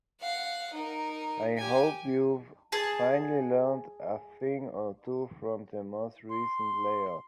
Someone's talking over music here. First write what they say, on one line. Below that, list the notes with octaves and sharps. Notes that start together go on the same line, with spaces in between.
I hope you've finally learned a thing or two from the most recent layoff.
F5 F#5
D#4 A#4
G4 G#5
G#4 A5
C6